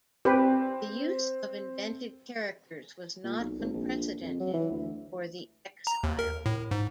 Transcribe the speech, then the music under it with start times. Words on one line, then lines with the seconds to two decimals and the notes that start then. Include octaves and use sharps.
The use of invented characters was not unprecedented for "the eXile".
0.25 C4 G4 B4
3.24 A#2
3.39 B1
3.59 G#1
3.73 A#1
4.22 F2
4.40 F#3
4.54 E3
4.71 D2
5.87 A#5
6.04 D#2
6.19 A#4
6.46 A2
6.71 G#2